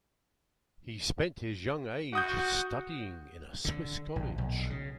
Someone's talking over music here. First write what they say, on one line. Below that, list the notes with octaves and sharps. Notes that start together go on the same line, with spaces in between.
He spent his young age studying in a Swiss college.
F#4 F#5 D#6 G6
D3
A#1
B1
C#3